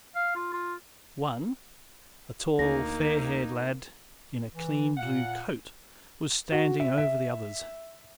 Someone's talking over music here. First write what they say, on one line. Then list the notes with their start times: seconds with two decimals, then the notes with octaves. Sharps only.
One, a tall, fair- haired lad in a clean blue coat, was standing over the others.
0.15 F5
0.36 F4
0.53 F4
2.59 D2 A#3 D#4 A#6
4.54 E3
4.97 A#2 F5 F#5
6.52 F#4
6.80 E5
6.98 E5